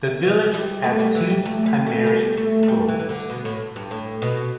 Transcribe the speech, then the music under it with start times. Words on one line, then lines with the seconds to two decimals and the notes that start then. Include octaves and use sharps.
The village has two primary schools.
0.23 E3
0.54 G3
0.84 A3
0.99 G3
1.15 E3
1.30 G3
1.45 A3
1.66 G3
1.86 A3
2.07 G3
2.37 A3
2.63 A3
2.68 G3
2.88 E3
2.99 E3
3.09 D3
3.30 B2
3.45 A2
3.76 G2
3.91 A2
4.22 B2